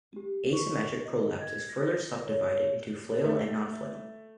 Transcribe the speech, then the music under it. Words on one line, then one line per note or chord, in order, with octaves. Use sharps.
Asymmetric prolapse is further subdivided into flail and non-flail.
G4
C#6
D#5
G#6
A#6
C#5
C#5
A3